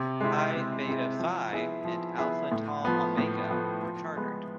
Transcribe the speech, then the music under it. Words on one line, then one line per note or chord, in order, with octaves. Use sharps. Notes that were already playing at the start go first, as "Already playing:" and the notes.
Pi Beta Phi and Alpha Tau Omega were chartered.
Already playing: C3
G#3 C4 E4
C3
G#3 C4 E4
F3
B3 E4 G#4
F3
B3 E4 G#4
A2
F3 B3
A2
F3 B3
F3
G#3 B3